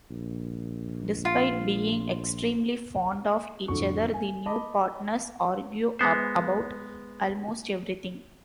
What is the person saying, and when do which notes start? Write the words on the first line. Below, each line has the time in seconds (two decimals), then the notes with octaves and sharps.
Despite being extremely fond of each other, the new partners argue about almost everything.
0.10 A#1
1.25 F4
3.68 F2 A2 D3 F#3 F#4 C#6
4.14 G#5
4.46 D#5 A5 B5 D6
5.99 G#3 B3 C5